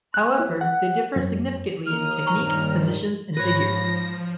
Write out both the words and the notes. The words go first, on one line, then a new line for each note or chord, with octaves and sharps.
However, they differ significantly in technique, positions, and figures.
F#6
E4
F#5
F#2
D#2 A#4 D#6 F6
G2 A#2 D#3 A#5 C#6
G#2 F3 B4 C#5 A#6